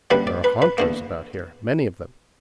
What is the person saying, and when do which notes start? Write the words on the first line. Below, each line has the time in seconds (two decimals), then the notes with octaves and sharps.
There are haunters about here,--many of them.
0.10 F#2 D3 G3 A#3 B4
0.27 D5
0.44 B4
0.62 B4
0.78 E2 D3 A#3